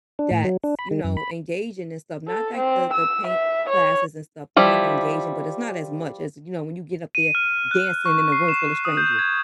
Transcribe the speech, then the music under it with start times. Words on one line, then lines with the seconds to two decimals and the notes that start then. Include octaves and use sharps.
that's, you know, engaging and stuff, not like the the paint classes and stuff aren't engaging, but it's not as much as, you know, when you get up there dancing in a room full of strangers.
0.19 D4
0.31 A2
0.45 F#3
0.64 D4
0.79 B5
0.91 D#3
1.04 F#2
1.17 B5
2.28 A4
2.57 C4
2.93 E6
3.27 E5
3.69 C#5
4.56 F3 G3 E4
7.15 D#7
7.35 F6
7.71 F#6
8.05 C#6
8.32 C7
8.49 E7
8.85 D#6
8.97 G6
9.19 G#6